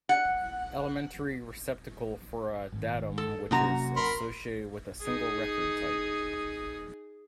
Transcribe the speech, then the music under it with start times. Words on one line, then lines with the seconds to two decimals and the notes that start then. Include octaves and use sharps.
Elementary receptacle for a datum which is associated with a single Record Type.
0.09 F#5
2.72 G#1
3.18 A4
3.51 F#2 C3 A#3 F#4 A#5
3.96 A#4 B5 C6
5.02 D#4 G#4